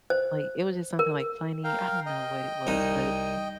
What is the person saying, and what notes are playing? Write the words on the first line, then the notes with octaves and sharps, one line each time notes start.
like, it was just something, like, funny I don't know what it was, but
C5
A#4
A#4 F5 G5
D#5 G5
C2 D#4